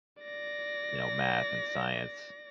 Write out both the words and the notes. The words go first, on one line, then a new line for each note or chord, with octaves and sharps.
you know, math and science.
D5 A#6